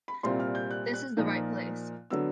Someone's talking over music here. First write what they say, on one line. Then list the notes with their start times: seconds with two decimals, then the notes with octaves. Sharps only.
This is the right place.
0.08 B5
0.23 C2 A#2 G3 C4 F4 C6
0.40 F6
0.55 G6
0.71 F#6
0.94 F#6
1.17 A#2 F3 A#3 D#4
2.10 D3 F#3 B3 E6